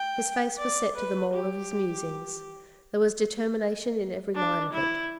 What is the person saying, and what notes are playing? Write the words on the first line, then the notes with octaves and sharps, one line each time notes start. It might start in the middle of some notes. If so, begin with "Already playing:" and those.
His face was set to the mould of his musing; there was determination in every line of it.
Already playing: G5
D5
B4
G4
D4
E4